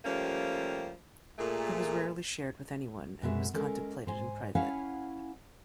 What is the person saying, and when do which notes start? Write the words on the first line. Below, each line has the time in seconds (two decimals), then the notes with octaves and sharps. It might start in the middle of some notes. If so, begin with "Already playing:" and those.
It was rarely shared with anyone and was contemplated in private.
0.05 F3 G3 A3 A#3 C#4 G4
1.39 A#2 A3 G#4
3.22 F#2 B2 G#3 E5
3.53 G#3 C#4 A4 A#4 D#5
4.06 G#2 C5 G#5
4.55 C#4 E4 C#5 F5 F#5 G#5